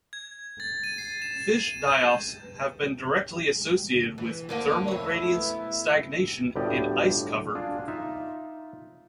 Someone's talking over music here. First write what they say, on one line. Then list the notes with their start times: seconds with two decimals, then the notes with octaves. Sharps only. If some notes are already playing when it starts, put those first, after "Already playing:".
Fish die-offs have been directly associated with thermal gradients, stagnation, and ice cover.
0.13 G#6
0.60 A6
0.84 D#7
0.98 C7
1.22 E7
1.64 D#7
1.87 G6
4.18 E3
4.49 D2 D3 A#3
4.88 F2 A3 E4 C#5
5.35 B3
6.56 G1 D2 A2 G4 D5 D#5
7.55 D4 F4 F#4 G#4
7.88 D#4 F4 E5